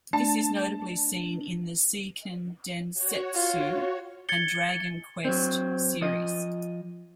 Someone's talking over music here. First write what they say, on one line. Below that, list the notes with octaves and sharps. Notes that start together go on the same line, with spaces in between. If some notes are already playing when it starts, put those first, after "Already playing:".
This is notably seen in the "Seiken Densetsu" and "Dragon Quest" series.
A3 D4 A5
F#4 C#5
F4
G#6 A6 C#7 G7
F#3 C4
F3 D#5